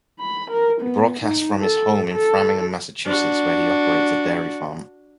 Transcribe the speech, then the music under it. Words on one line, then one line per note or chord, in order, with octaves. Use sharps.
He broadcasts from his home in Framingham, Massachusetts, where he operates a dairy farm.
B5
A#4
B3
D#4
A4
A4
D4 F#4